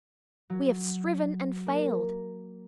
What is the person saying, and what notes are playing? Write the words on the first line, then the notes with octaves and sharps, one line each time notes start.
We have striven and failed.
F#3
A#3